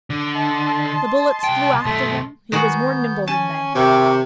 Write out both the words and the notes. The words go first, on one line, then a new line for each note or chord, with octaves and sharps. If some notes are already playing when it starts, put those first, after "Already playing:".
The bullets flew after him, he was more nimble than they.
D3
D#5 A5 C6
C2 G5
B1 A3
D#3 G#3 B3 F#4 G6
C#4 G#5 A5
C3 A#4 E5 G5 C#6 D6